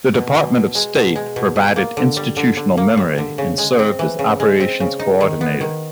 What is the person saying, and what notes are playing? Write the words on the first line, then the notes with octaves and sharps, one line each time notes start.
The Department of State provided institutional memory and served as operations coordinator.
B2
B2
B2
G#3
B2
G#3
B2
B2
A#3
D3
G3
D3
D3
A#3
G3
D3
C#3
G#3
C4
E3
C#3
G#3
C4
C#3
D#4
D#3
B3
D#3